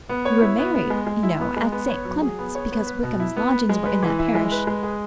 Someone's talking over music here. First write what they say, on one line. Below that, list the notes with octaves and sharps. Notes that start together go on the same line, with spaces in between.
We were married, you know, at St. Clement's, because Wickham's lodgings were in that parish.
B3
C#5
E4
B3
B3
G#3
G#3
E4
B3
G#3
B3
C#5
F#3
G#4
B3
C#5
B3
B4
B2
E4
B3
B4
G#3
B4
E3
E4
G#3
B4
G#3
G#4